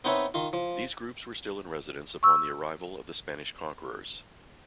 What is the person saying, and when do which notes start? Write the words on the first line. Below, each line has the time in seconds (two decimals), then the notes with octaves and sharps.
These groups were still in residence upon the arrival of the Spanish conquerors.
0.04 B3 C4 D#4 B4 C#5 E5
0.34 D#3 F4
0.53 F3
2.23 C#6 E6